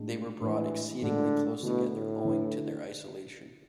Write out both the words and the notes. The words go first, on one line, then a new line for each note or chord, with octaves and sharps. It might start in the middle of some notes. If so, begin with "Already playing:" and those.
They were brought exceedingly close together owing to their isolation.
Already playing: A2 G#3 D4
A2 E3 G#3 D4
A2 D3 G#3 D4
B2 D3 A3 E4 B4
A2
D3 A3 E4 B4